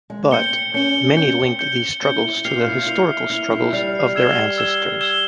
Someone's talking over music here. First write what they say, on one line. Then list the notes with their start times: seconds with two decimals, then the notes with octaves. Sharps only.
But, many linked these struggles to the historical struggles of their ancestors.
0.10 G#3
0.31 C4 G6 C#7 G7
0.74 C#4 G6 C#7 G7
1.17 C#4 G6 C#7 G7
1.38 C4
1.59 G6 C#7 G7
2.02 C#4 G6 C#7 G7
2.16 E4
2.45 G4 F6 C7 F7
2.56 F4
2.66 E4
2.77 F4
2.87 E4 F6 C7 F7
3.30 E4 F6 C7 F7
3.51 E4
3.73 G3 F6 C7 F7
4.15 E6 G#6 E7 G7
4.58 E6 G#6 E7 G7
5.01 E6 G#6 E7 G7